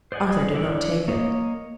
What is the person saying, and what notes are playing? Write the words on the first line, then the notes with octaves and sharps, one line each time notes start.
Arthur did not take it.
C5 D5 D#5 F#5 G#5
D4 E4 C#5 D5
A#3 C#5 D#5